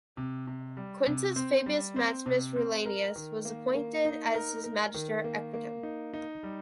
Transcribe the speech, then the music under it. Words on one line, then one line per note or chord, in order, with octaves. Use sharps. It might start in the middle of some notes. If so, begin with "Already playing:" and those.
Quintus Fabius Maximus Rullianus was appointed as his magister equitum.
C3
C3
G3
C3
C4
G3
C4
C3
C4
A#4
D#3
A#3
A#3
D#4
A#4
A#4
D#3
A#3
A#3
D#4
D#4
G3